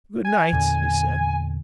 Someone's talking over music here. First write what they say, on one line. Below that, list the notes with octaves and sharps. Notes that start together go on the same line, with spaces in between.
"Good night," he said.
G#5
E2 A#2 D3